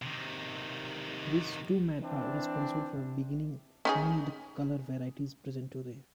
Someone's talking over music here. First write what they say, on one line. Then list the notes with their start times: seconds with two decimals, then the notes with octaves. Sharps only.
These two men are responsible for beginning many of the color varieties present today.
0.02 C3 D#3
2.02 E3 C4 D4
3.85 C#4 D#4 G#4